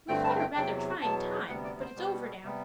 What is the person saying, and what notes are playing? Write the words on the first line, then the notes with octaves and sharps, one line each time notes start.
We've had a rather trying time but it's over now.
G2 D3 A3 C4 G5
A5
G5
E2 C3 F#3 G5
E2 B2 F#3 B3 A5
D2 C3 G3 B3 F#5
D5
C5
B2 G3 B3
C3 G3 B3